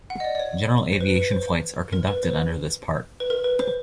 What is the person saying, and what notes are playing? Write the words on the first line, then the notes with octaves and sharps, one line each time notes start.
General aviation flights are conducted under this part.
F#5
D#5
D5
D5
C#5
C5
B4
B4
C5
A#4
B4
C5
B4
A#4
B4
C5